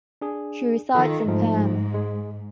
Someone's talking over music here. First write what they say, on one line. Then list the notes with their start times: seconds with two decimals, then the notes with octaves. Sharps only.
She resides in Perm.
0.21 D4 G#4
0.95 D#3 F4 A4
1.28 G#2 F3 A3 D#4
1.94 G#3